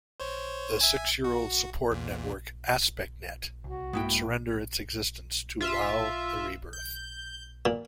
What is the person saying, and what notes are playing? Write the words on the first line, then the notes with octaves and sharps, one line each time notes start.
The six-year-old support network AspectNet would surrender its existence to allow the rebirth.
C5 C#5
E5 G#5
F#4
E2 A#2
C2 F#4
G2 G#3 A#3 B3 E4 G5
F4 E5
G6
A#2